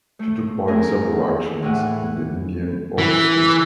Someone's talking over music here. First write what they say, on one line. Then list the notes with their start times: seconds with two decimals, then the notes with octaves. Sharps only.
She took part in several actions in the Indian Ocean.
0.19 A3
0.68 A3 G#4 A#4
1.62 A2 E3 F#5
2.98 E3